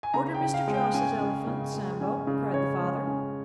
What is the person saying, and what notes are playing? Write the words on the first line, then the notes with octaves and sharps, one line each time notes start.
"Order Mr. Jos's elephant, Sambo!" cried the father.
G#5
C#3 A#5
G5
C#3
F5
G#3
G5
C#4 G#5
C#3
C#3
G#3
C#4
C#3
C#3 C#5
G#3
C#4